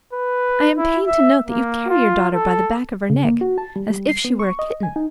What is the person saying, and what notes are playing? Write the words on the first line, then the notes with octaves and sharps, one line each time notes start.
I am pained to note that you carry your daughter by the back of her neck, as if she were a kitten.
B4
E4
E5
A#3
F4
A4
C#3
A#3
F#4
A5
G3
G3
C7
B3
C#6
D#5
G#5
D#4